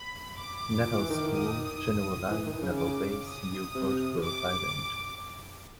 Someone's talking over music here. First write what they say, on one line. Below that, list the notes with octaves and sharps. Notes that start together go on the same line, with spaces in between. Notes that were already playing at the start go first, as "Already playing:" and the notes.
Naval School, General Line, Naval Base, Newport, Rhode Island.
Already playing: B5
D6
A#2
E3
D#3
D#6
E3
D#3
C#3
D6
D#6
C3
D6